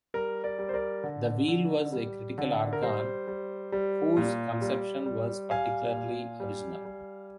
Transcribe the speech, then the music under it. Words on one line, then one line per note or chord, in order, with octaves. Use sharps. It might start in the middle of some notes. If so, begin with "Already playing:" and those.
The wheel was a critical organ whose conception was particularly original.
G3 A#4
A#4 D5
G3
C5
A#4 D5
D3
D3
G3
D3
A#4
G3 C5
G3
G3
A#2
G3
G3
G3 F5 G#5
A#2
G3
G3